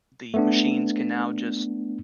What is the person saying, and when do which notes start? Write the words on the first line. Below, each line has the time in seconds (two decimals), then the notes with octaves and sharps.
the machines can now just
0.34 A3 B3 D4